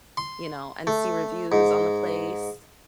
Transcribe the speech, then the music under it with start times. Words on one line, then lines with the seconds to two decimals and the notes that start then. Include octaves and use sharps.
you know, and see reviews on the place,
0.17 C6
0.87 A3
1.52 G#2